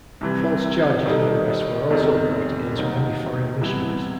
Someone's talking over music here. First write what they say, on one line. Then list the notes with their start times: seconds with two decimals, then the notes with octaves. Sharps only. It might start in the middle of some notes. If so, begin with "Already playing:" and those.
False charges and arrests were also brought against many foreign missionaries.
0.21 C2 C3 E3
1.05 D#3 G3 D#4 A4
1.90 E2 C3 D#3 A3
2.76 D#2 D#3 F#3
3.61 C2 C3 E3 B3 E4